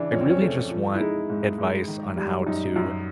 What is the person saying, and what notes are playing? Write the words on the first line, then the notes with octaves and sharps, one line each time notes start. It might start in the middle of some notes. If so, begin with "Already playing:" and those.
I really just want advice on how to
Already playing: C#3 E3 D4
F2 C#4
C4
C#4
A3
F3
E4
G#3 D#4
G#2
G#2
D#3
G3
F#2 D#4
F#2